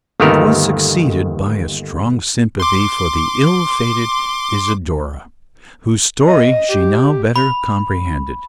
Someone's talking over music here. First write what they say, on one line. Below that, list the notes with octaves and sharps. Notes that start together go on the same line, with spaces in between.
It was succeeded by a strong sympathy for the ill-fated Isidora; whose story she now better comprehended.
G1 D#2 D#3 A3 B3 A#4
C6 D6
D#5
G4
B5